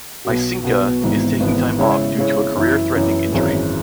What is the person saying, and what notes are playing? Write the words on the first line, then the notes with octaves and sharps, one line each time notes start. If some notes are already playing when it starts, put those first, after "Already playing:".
Myskina is taking time off due to a career-threatening injury.
B1 B2 B3 F#4
B1 B2 B3 F#4
G#1 G#2 E3 B3
G#1 G#2 E3 B3
C#3 G#3 E4 C#5
C#3 G#3 E4 C#5
F#2 E3 C#4 E4
F#2 E3 C#4 E4
G#1 F#2 E3 C#4 G#4